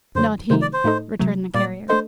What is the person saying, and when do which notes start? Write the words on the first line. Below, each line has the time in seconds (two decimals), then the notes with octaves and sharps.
"Not he," returned the Carrier.
0.15 F#2 D3 F#3 C5
0.50 C3 D#3 A3 D#4 C5
0.62 D5
0.73 C5
0.84 A2 A3 D#4 A4 D#5
1.20 C3 F#3 A3
1.54 A#2 G3 A#3 D5
1.89 A3 D4 A4 C5 D#5